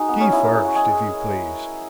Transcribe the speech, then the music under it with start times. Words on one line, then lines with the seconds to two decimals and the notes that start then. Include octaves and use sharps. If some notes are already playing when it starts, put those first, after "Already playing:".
Tea first, if you please!
Already playing: D#4 F#4 G#4
0.09 B3
0.20 C#4
0.32 E4
0.44 A#4
0.56 G#4
0.65 F#4
0.76 G#3 G#4